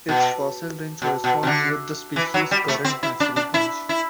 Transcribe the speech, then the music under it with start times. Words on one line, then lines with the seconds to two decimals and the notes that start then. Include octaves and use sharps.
Its fossil range corresponds with the species' current natural range.
0.09 B2
1.02 B2
1.24 B2
1.43 C3
1.47 D3
2.16 E3
2.34 F#3
2.51 G3
2.68 A3
2.84 C4
3.03 E4
3.20 D4
3.36 D4
3.54 E4
3.89 E4